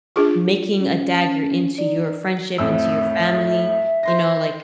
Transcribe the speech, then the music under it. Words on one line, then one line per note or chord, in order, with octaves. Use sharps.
making a dagger into your friendship, into your family, you know, like
D4 F4 G#4 C#6
C#4
D#4 D5
F2 A2 E5 E6
C5 C6 A#6